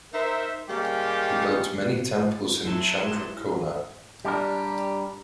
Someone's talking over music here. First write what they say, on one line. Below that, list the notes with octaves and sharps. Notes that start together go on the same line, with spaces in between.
He built many temples in Chandrakona.
D#4 A#4 C5 E5
G3 G#3 A#3 C#4 G4
F#3 E4 A5 C6
G3 D4 G4 A#4